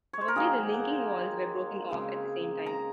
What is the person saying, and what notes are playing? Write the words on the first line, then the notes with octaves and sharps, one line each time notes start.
Probably the linking walls were broken off at the same time.
C#5
C5
A#4
D#3 F#3 A#3 G#4
F#5
C#3 G#3 C4
A#5